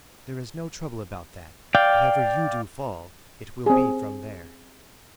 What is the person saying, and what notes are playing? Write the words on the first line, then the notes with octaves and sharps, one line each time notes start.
There is no trouble about that: if ever you do fall, it will be from there.
D5 F5 G5
C4 G#4